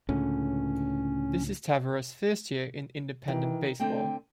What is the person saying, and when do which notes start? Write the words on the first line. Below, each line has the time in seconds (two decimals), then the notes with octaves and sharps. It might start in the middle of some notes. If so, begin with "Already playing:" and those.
This is Taveras first year in Independent Baseball.
0.09 C#2 A2 D3 C#4
3.28 D#3 E3
3.80 D3 A3 C4 G5